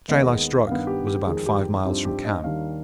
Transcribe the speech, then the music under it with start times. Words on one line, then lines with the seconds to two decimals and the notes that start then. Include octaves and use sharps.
The trail I struck was about five miles from camp.
0.08 D#2 D#3 G#3 B3 D#5
0.67 G2 D#3 B3 F5
0.87 G4
1.07 G4
1.26 F2 D#3 G#3 G#4
1.46 G4
1.85 G2 F3 C4 D#4 G4
2.05 G4
2.25 D#5
2.43 D#2 D#3 G3 D4 F5